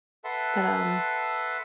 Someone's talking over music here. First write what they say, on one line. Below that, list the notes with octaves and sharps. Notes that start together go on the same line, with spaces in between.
but, um,
A4 B4 E5 F#5 A5 C6